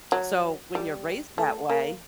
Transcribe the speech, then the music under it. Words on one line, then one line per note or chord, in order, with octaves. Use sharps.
So, when you're raised that way,
F#3
G3
A3
A#3